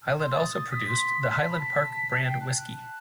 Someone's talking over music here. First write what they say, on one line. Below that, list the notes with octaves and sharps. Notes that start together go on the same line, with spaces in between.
Highland also produced the Highland Park brand whisky.
C6 G6
D#6 A6
D#6 A6
D#6 B6
C6
C6
A5
B5
A5 B6
A5
G5 C7
A5 F#6
F#6